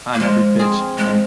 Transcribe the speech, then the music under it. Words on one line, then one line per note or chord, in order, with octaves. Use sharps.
on every pitch, like,
A#3
F3 G#3
C4 F4 G#4
F3 G#3